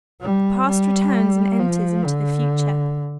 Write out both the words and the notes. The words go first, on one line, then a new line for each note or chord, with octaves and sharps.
The past returns and enters into the future.
G3
G3
F3
D3